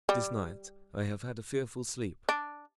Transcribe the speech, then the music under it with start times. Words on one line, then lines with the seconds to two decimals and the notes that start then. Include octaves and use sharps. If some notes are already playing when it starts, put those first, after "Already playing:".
This night I have had a fearful sleep.
0.09 G3
2.29 D4